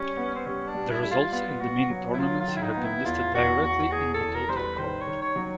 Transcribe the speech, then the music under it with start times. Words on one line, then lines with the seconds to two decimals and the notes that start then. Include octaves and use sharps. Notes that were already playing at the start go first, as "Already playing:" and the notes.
The results in the main tournaments have been listed directly in the total column.
Already playing: G3 C#4
0.17 B3
0.35 C4
0.46 G3 C#4
0.68 D4
0.75 G3
0.90 E4
1.02 G3 E4
1.11 F4
1.32 B3 F4
1.61 B3 F#4
1.90 F#3
2.14 E4
2.19 F#3 F4
2.40 F4
2.48 D#3
2.57 E4
2.62 D#4
2.76 B3
2.84 E4
3.05 E2 F4
3.35 E2 F#4
3.63 E2 F#4
3.92 E2 G#4
4.14 A4
4.21 E2
4.35 A#4
4.49 G3 C5
4.57 B4
4.78 D#3 C5
5.01 C#5
5.08 D#3
5.22 C#5
5.36 F#3